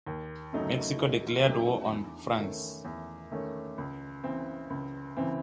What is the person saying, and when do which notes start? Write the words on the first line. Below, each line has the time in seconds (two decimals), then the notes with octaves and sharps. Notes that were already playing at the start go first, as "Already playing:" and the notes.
Mexico declared war on France.
0.07 D#2
0.53 C#3 F#3 A3 D#4
0.99 D#2
1.45 C#3 F#3 A3 D#4
1.92 E2
2.38 D#3 A3 C#4
2.85 E2
3.31 D#3 A3 C#4
3.78 C#2
4.24 C#3 E3 C4
4.70 C#2
5.17 C#3 E3 C4